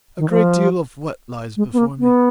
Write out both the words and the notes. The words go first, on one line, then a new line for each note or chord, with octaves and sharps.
"A great deal of what lies before me?"
D#3
F3
G#3
B3
A#3
B3